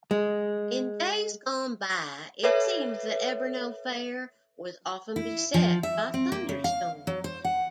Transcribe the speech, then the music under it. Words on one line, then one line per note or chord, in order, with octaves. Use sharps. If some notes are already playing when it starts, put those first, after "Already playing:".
In days gone by it seems that Ebernoe Fair was often beset by thunderstorms.
G#3
A4 B4 C#5 E5
E4
F3
E5
C4
A#3
C#3
F5
F#3
C5
F#5